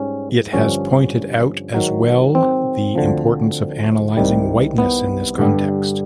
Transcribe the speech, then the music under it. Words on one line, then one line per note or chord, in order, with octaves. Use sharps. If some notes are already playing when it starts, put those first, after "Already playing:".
It has pointed out as well the importance of analysing "whiteness" in this context.
Already playing: G#2 G3 C#4
G2 D3 F3 C#4
G#2 D#3 F#3
C4
D2 D3 F3
C2 C3 D#3 G3
B3
G2 D3 G3